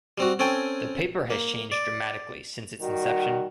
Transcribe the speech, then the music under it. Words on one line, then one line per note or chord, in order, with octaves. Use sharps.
The paper has changed dramatically since its inception.
G3 C4 F#4
C4 C#4 A4 G5 G#5
A#3
D5
D#3 G3 F#4